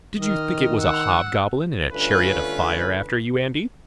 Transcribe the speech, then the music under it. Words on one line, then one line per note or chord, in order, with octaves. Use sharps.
"Did you think it was a hob-goblin in a chariot of fire after you, Andy?"
D#3 D#5 F6
F#5 E6
G1 D3 A3 C#4 F4 B4